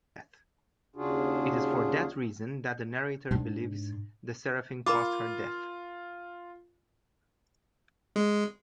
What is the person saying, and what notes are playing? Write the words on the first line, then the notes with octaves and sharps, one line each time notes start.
It is for that reason that the narrator believes the seraphim caused her death.
D#2 C#3 D4 F4 F#4 G#4
G#2 D4
F4 A#4 B5 D6
G#3